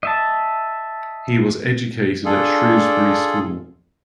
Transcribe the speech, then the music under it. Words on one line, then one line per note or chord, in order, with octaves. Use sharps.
He was educated at Shrewsbury School.
D#5 E5 A5
D4 F4 G#4 A4